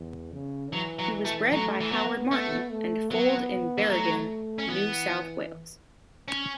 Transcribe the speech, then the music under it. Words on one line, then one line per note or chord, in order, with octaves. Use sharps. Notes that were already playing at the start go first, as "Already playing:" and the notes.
He was bred by Howard Martin and foaled in Berrigan, New South Wales.
Already playing: E2
C#3
E3 F#3
F#3
A3
F#3 A3
E3
F#3 B3
A3 B3
A3
F#3 B3
E3
F#3 A3
C#4
E3 B3
C#4